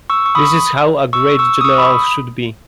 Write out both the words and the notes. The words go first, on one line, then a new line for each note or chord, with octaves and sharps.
This is how a great general should be.
C#6 E6
C#6
B5 D#6
C#6 E6
C#6 E6
D#6
C#6 E6
B5 D#6